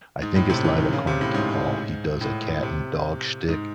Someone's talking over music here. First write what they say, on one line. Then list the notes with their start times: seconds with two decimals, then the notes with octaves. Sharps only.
I think it's Live at Carnegie Hall; he does a cat and dog shtick
0.22 G#2
0.35 A2
0.50 C3
0.64 E3
0.78 D#3
0.93 C#3
1.07 C3
1.21 A2
1.34 G#2
2.21 A2
2.63 C3
3.48 G#2